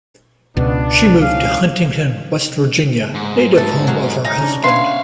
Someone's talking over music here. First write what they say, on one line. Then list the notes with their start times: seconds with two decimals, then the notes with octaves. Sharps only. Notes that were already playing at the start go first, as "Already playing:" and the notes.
She moved to Huntington, West Virginia, native home of her husband.
0.57 C#2 B2 B3 D4
1.20 F3 C#4 F5
3.15 G#2
3.55 A3 A4
3.87 F#3 F#4 F5
4.25 D#4
4.38 C#4 D4
4.64 B4 C#5 E5 F5 C6